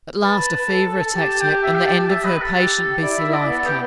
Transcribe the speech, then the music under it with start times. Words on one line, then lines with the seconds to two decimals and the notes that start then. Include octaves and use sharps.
At last a fever attacked her and the end of her patient, busy life came.
0.24 B4 A5
0.70 A4
1.16 G4 A5
1.41 G5
1.63 E5
1.75 G5
1.86 A5
1.99 A5
2.10 E5
2.25 B4
2.41 A4
2.56 G4
3.03 E4 D5
3.19 E5
3.33 D5
3.49 B3 A4
3.66 G4